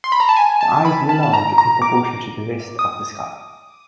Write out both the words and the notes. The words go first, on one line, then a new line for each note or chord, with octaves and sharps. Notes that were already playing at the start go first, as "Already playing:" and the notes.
The eyes were large in proportion to the rest of the skull.
C6
B5
A#5
A5
G#5
A5
B5
A5
A5
A#5
A#5
D6
D#6